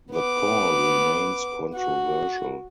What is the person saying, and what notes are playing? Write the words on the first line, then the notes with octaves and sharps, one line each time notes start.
The call remains controversial.
B3 D6
F#4